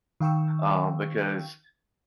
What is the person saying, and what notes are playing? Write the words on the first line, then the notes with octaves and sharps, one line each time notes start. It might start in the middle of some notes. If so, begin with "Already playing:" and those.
Um, because,
D#3 F5 G5 C#6 E6